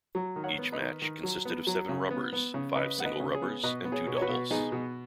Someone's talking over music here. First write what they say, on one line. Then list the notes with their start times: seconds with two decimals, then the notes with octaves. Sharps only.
Each match consisted of seven 'rubbers': five singles rubbers and two doubles.
0.15 F#3
0.36 D#3
0.44 C#5 F#5
0.58 B3
0.72 B4 D#5
0.80 D#3
1.02 D#3
1.23 F#3
1.45 B3
1.67 F#3
1.89 C#3
2.11 B3
2.33 B3
2.54 C#3
2.76 C#3 B4 D#5
2.98 B3 F#5
3.05 B4 D#5
3.20 C#3
3.34 G#4 C#5
3.42 B3
3.63 B2 B4 D#5
3.85 B3
3.92 G#4 C#5
4.07 B2
4.17 C#5
4.21 F#4 B4
4.29 B2
4.51 B3 D#4 G#4
4.72 B2